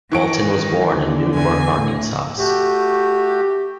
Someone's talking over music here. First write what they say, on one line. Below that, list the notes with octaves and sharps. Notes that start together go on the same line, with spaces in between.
Walton was born in Newport, Arkansas.
D#3 E3 C#6 D7
D3
E2 G#5
A2
A3 F#4 G4